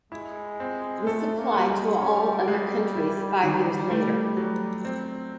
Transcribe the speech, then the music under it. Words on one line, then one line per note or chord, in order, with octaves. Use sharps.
This applied to all other countries five years later.
G#3 E4
C4
A3 A4
A#3
G3
G#3
G3 C#4
G#3
E4
D#3
A3
F#3
C4